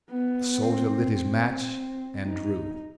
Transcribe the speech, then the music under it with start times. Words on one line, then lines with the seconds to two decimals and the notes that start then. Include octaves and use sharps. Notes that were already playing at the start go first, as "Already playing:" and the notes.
The soldier lit his match, and drew.
0.10 B3
0.63 C4
1.17 C4
2.23 D#4